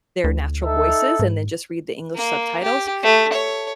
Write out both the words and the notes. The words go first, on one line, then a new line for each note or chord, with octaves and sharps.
their natural voices and then just read the English subtitles.
D2
D#4 A4 E5
G#2
A#3
G4
A3
C#5